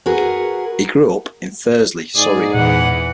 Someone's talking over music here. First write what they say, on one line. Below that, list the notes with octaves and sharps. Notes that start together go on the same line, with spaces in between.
He grew up in Thursley, Surrey.
F#4 G#4 A#4 B4
G#2 G#4 D5
E2 A#2 E3 F#5